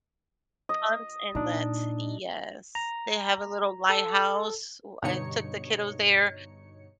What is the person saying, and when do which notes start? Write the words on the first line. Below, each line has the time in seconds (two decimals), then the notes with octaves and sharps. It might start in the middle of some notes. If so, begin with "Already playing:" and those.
Ponce Inlet, yes. They have a little lighthouse, wh I took the kiddos there.
0.69 D#5
1.35 A#2 D4 D#4
2.75 A#5
3.89 A4
5.02 G2 B2 D3 D#4 C#5 C#7